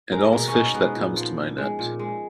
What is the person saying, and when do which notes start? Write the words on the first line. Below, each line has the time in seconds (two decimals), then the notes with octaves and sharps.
And all's fish that comes to my net.
0.12 G#3 A#4
0.33 B2 A#4
0.48 C#4
0.53 B2 D#4
0.74 G#3 B3
0.95 A#2
1.16 F3
1.37 A#2
1.58 G#3
1.79 A#2
1.99 G#3